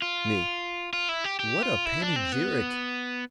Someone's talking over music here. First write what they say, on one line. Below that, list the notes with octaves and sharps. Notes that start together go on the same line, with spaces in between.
ME: What a panegyric!
F4
F4
E4
G4
G4
F4
E4
D4
C4
B3